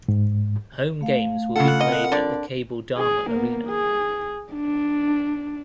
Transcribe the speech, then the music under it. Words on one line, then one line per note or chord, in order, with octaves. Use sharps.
Home games will be played at the Cable Dahmer Arena.
G#2
A3 F5
C#3 F4 A4 F#5
C4 A#4 D#5
D3 D5
G#4
A#3 B3
G#4
D4